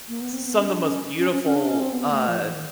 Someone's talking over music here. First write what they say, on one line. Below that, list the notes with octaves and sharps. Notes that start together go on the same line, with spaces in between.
some of the most beautiful, uh
A#3
B3
C4
B3
C#4
D4
C#4
C#4
C#4
C#4
D4
C#4
C4
B3
A3
F3
E3
D#3